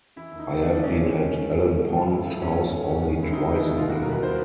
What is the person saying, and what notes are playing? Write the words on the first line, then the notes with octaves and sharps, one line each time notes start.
I have been at Ellen Pond's house only twice in my life.
E3 E4
D#2
D#4
C#3
E3 D4
G#3
C#4
C#3
C4
G3 C#4
G#2
G#2
G#1
D#3
G#2
F#2 F4
F#3 E4
F#2
F#3 C#4
G#1
D#3
D#2
D#2
G#3
E4
D#3 D#4
D#2
E4
D#2
F1 F4
F#4
G3
A#4
E2 B4
C5